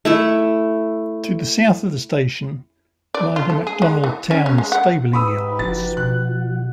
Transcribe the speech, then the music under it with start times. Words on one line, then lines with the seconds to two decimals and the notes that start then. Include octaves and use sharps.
To the south of the station, lie the Macdonaldtown Stabling Yards.
0.05 A3 E4 A4
3.14 D5
3.36 F4
3.50 A4
3.67 G#4
3.82 G#3
4.04 E3
4.31 C#4
4.46 C#4
4.58 G#3
4.72 F#5
5.13 D#4 G4 B4 B5 D#6 E6
5.59 F#1 F3 F#4 A6
5.97 B2 F#6